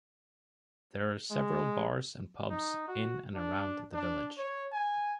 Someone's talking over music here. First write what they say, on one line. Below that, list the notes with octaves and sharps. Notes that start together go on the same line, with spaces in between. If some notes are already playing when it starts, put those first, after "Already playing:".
There are several bars and pubs in and around the village.
G#3
D#4
F#4
D4
D4
C#5
G#5